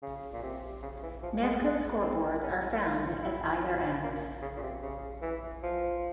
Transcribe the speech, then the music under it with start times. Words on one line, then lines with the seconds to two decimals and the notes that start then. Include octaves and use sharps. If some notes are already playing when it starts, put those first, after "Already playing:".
Nevco scoreboards are found at either end.
0.03 C#3
0.34 A#2
0.43 C3
0.82 C#3
1.03 E3
1.23 F3
1.43 G#3
1.63 G#3
2.02 C4
2.43 C#4
2.82 F4
3.23 E4
3.63 C#4
4.03 A#3
4.42 C#3
4.57 A#2
4.63 C3
4.82 C#3
5.22 E3
5.63 F3